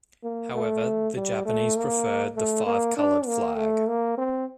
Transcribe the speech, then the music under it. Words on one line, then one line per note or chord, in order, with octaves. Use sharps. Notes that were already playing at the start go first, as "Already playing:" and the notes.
However, the Japanese preferred the Five-Colored flag.
A#3
A3
G3
A3
A#3
A3
A#3
D4
A#3
A3
A#3
C4